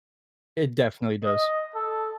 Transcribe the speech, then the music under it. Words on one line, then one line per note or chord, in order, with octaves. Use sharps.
It definitely does.
D#5
A4